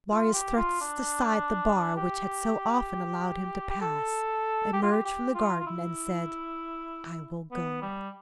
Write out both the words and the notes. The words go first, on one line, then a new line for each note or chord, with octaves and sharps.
Marius thrust aside the bar which had so often allowed him to pass, emerged from the garden, and said: "I will go."
F4
G4
F4
D4
G4
G4
A4
G4
F4
G4
G4
F4
F4
E4
B3
G3